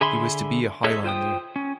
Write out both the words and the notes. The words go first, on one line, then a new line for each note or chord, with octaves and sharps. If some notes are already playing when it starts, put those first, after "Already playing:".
He was to be a Highlander.
D3 G#4 E5 B5 C6
G#4 A4 C#5 D#5 E5
F4 C5 G5 D#6
C#4